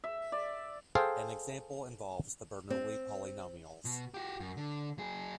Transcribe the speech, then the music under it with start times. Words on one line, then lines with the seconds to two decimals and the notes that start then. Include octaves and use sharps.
An example involves the Bernoulli polynomials.
0.04 E5
0.32 D5
0.95 G#4 A4 C5 F5 G5
2.70 C4
3.85 B2
4.14 F#4 G4
4.40 F#2
4.57 D3
4.98 F#3 G#4